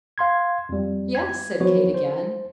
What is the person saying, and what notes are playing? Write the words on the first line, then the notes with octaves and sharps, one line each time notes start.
"Yes," said Kate again.
F5 C6 G#6
F2 G3
G#6
F3 F#3 B3 F#4 C5 C#5
C5